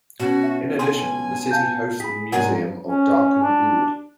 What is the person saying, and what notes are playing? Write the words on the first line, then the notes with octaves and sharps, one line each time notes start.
In addition, the city hosts the Museum of Darkhan-Uul.
B2 C#4 F#4
E5
G5 G#5 C6
F5 A5 G6
G#4 B5 B6
G#2 F#3 G3 D4 A#4 F#5 G#5
C#4
D4